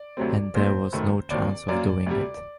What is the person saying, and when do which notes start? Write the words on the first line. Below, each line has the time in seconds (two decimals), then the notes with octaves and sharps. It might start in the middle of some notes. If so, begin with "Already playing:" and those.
And there was no chance of doing it.
Already playing: D5
0.17 D2 C3 F#3 A3 C4
0.55 A#1 A#2 A3 C4 C5
0.92 F#1 F#2 D#3 A3
1.30 D#2 D#3 F#3 C4 D5
1.68 F#2 F#3 A#3 D5
2.06 D2 C3 G3